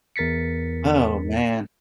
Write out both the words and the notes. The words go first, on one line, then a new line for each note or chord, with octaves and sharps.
Oh, man.
E2 A#4 A6 B6 C#7